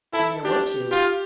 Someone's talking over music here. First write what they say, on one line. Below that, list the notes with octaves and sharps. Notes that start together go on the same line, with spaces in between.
"Then there were two?"
E4 A4
D4 G4
F4 G4